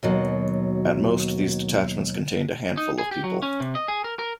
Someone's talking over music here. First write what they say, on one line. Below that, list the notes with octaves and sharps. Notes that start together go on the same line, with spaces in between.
At most these detachments contained a handful of people.
D#2 B2 F#3
D#4
G#4
G4
F#3
C#4
C3
D#5
G#4
A#4
A#4